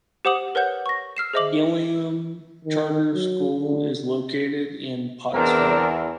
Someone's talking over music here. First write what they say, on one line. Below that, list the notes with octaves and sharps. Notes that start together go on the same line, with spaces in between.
Gillingham Charter School is located in Pottsville.
G4 C5 F#5 D6 D#6 F#7
A#4 B4 C#5 F#5 G6
C#6 A#6
E6 F6 C7 E7
G#4 C5 D#5 E5 D6 F#7
D#3
F#3
D3
E2 C4 D4 A#4